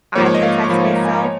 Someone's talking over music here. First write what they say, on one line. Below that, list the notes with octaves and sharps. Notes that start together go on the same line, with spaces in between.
I protect myself.
G#2 F3 A#3 C#5
C#5
D#5
F5
C#6
G#2 F3 A#3 B5
A#5
G#5
A#5
C#5